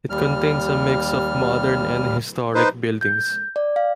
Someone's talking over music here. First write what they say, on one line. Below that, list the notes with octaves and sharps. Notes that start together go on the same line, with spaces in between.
It contains a mix of modern and historic buildings.
D#2 G3 F6
D#4 B4 C5
G6
D5
F5